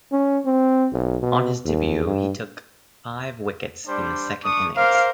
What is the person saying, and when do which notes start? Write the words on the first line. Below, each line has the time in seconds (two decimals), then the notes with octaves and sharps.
On his debut, he took five wickets in the second innings.
0.12 C#4
0.45 C4
0.93 B1
1.23 B2
1.65 D#2
2.05 G2
3.87 G3 D4 C5
4.44 D4 C#6 D#6
4.76 A#4 C5 F5 D6